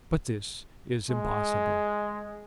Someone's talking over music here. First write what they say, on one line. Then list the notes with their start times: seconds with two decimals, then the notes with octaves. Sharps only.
But this is impossible.
1.10 G#3